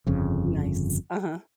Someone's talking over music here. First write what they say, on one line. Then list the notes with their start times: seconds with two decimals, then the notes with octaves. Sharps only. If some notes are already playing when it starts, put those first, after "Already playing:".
Nice. Uh-huh.
0.07 G1 F2 C#3